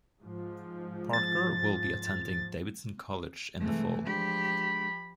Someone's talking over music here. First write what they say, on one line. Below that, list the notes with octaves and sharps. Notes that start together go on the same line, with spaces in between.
Parker will be attending Davidson College in the fall.
G#2 F3
A6
G2 C3 E3 G#3 A3
F3 G#3 D4 G4 B5